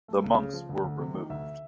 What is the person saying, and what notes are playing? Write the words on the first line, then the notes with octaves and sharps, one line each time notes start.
The monks were removed.
A3
C#2
C#3
F3
D2
D2
C3
D#3
D2 E5